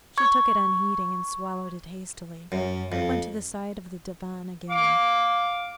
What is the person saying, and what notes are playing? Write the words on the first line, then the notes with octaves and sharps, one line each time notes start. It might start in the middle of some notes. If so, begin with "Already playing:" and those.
She took it unheeding, and, swallowing it hastily, went to the side of the divan again.
C#6 G#6
F#2
F2
F5 D6